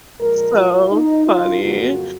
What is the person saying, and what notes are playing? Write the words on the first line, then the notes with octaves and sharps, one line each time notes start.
so funny.
A#2 F3 G#3 A#4
F4
D#4
F4
F2 C#3 F#3 A#3 F#4